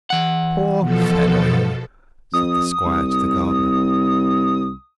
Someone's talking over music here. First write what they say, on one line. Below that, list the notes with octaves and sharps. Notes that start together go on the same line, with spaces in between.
"Poor fellow," said the squire to the gardener.
E3 F#5
B2 F3 A4
F2 D#6
C2